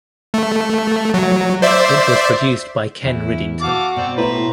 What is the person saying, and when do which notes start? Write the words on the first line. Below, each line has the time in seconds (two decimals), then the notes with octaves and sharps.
It was produced by Ken Riddington.
0.34 A3
1.14 F#3
1.62 C5 D5 E5
3.04 E2 E4
3.61 F#4 A4 F5 D6
3.97 B2 C4 D5
4.17 A2 B4 C5 A#5